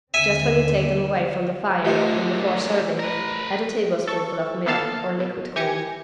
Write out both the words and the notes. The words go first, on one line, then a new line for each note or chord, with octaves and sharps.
Just when you take them away from the fire and before serving add a tablespoonful of milk or liquid cream.
D#2 D3 C4 E5 G#5
A#2 D3 A3 F4 G4 C5 D#5
A#4 B4
A4 C#6
A#3 B3 A4 F5 A5
B2
E3 G4 G#5 G#6 A#6 C#7